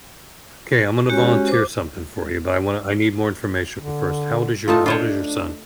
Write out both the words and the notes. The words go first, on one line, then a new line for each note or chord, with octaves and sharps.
'kay, I'm gonna volunteer something for you, but I wanna I need more information first. How old is your how old is your son?
G#3 C#4 F#4 G4
C5 D6
D3
A3 D#4 F4 A5
D4 F4 C5 C#5